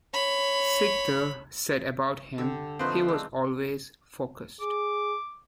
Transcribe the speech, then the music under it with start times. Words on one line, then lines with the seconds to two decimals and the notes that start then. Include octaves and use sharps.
Sikdar said about him, He was always focused.
0.14 C#5 B5
2.38 D3 G4 E6
2.79 F3 A3 C4 D#4 F4 B4
3.08 G#3 D4 E6
4.61 G#4 D6